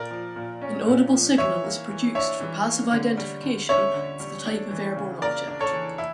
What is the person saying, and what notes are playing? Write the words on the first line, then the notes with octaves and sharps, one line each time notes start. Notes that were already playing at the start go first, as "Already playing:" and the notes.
An audible signal is produced for passive identification of the type of airborne object.
Already playing: A#2 A#4 D5
F3
A#2
C#4
A#2
F3
E3 C#5 E5
A#3
E3
D4 C#5 E5
E3
A#3
D3
G3
D3
C#4 C#5 E5
D3
G3
D4
E3
C#3
A#3 A#4 D5
D4
A4 C#5
E3
E4